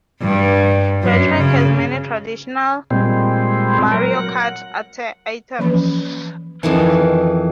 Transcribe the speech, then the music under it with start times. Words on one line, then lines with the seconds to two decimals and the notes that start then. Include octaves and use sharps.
The track has many traditional "Mario Kart" items.
0.21 G2
1.02 F#2
1.38 C#3
2.90 A#2 G3 G#3 C4
3.92 F#3 A#4
4.15 F#5
5.59 E3 F3 A#3 C#4 B4 B5
6.63 F2 D#3 E3